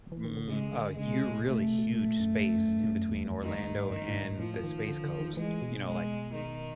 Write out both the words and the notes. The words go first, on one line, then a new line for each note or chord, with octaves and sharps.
mm, uh you're really huge space in between Orlando and the Space Coast, you know, like,
E3
D#3
D3
C#3 G#3
D3
C#3 G#3
C3
B2
B2 A3
C3
B2
A#2 A3
F#2
G2
F#2
F#2
G2
F#2
E2
F2
F2 D#3
G2
G#2
G2 D#3
A2
G#2
A2 F3
D#3
D3
D3
D#3
E3 G#3
B2
G#3
D#3